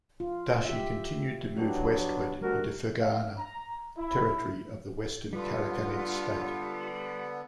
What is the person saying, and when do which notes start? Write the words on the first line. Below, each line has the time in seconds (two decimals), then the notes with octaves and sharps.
Dashi continued to move westward into Ferghana, territory of the Western Karakhanid state.
0.20 F4
0.65 G4 E5
1.57 F#3 B3 D4 G4
2.41 D2 G3 F#4 A#4
3.00 F5
3.38 A#5
3.97 E4
5.33 D3 G3 B3 F4